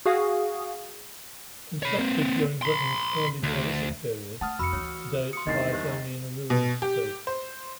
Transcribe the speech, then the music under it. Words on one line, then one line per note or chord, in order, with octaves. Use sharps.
Constructed during Britain's Early Neolithic period, today it survives only in a ruined state.
F#4 G#4 F5 D#6
C#5 B5
A#3 C4
B5 C6
D2
A3 F#5 A5 D#6 F6
F2 F#4 B5 E6 C#7
D2 E3 C#5
C6 D#6 C#7
E2 G2 D#3 A#3 D#5 A6 C7
G4 C5 E5
B2
G4
C5